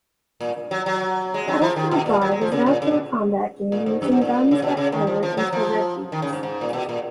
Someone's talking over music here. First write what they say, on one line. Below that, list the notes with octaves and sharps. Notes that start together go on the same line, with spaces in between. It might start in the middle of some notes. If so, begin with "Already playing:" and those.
Battlefield Live is an outdoor combat game using guns that fire infra-red beams.
A#2
F#3
F#3
G#3
F#3
F3
D#3
B2
A#2
F#3
G#3
F3
C#3
A#2
C#3
B2
A#2
G#2
F#2
G#2
A#2
C#3
B2
C#3
D#3
F3
F3
F#3
F3
D#3
C#3
G#2
G#2
A#2
B2
A#2